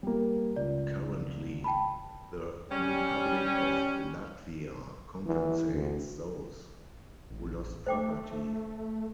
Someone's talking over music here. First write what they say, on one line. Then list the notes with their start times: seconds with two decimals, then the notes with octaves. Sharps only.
Currently, the Republic of Latvia compensates those who lost property.
0.03 G3 A#3
0.56 C#2 D5
1.64 G5 A5 B5
2.71 G3 C#4
5.26 E3
5.72 D2
7.30 A1
7.87 A3 C5 G5 D6